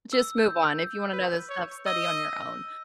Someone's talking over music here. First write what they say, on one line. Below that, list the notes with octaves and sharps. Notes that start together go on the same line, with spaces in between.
just move on, if you wanna know this stuff, study on your own.
E6
G6
B4
C#5
D#5 E6